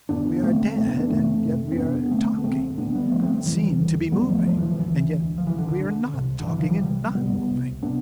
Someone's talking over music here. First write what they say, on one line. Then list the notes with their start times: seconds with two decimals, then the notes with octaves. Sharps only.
We are dead and yet we are talking and seem to be moving--and yet we are not talking and not moving.
0.09 F2 D3 B3 D4
0.43 F2 D3 A3 C4
0.76 F2 C3 A3 C4
0.87 B3 D4
0.99 B3 D4
1.10 F2 C3 A3 C4
1.44 F2 C3
1.72 C4
1.77 F2 C3 B3 D4
2.10 D2 D3 A3 C4
2.38 B3
2.44 D2 D3 A3 C4
2.77 D2 D3 B3 D4
2.95 G3 B3
3.11 D2 D3 F3 A3
3.22 A3 C4
3.45 E2 D3 E3 G3
3.79 E2 D3
4.12 E2 D3 G3 B3
4.29 F3 A3
4.45 E2 D3 F3 A3
4.57 E3 G3
4.63 F3
4.68 E3
4.79 D2 D3 E3
5.13 D2 D3
5.38 F3
5.47 D2 D3 E3
5.58 D3
5.69 D3
5.80 D2 D3
6.13 C2 C3
6.40 D3
6.47 C2 C3 E3
6.58 D3 F3
6.70 E3 G3
6.81 C2 C3
7.14 C2 C3 G3 B3
7.48 C2 C3
7.82 C3 B3 D4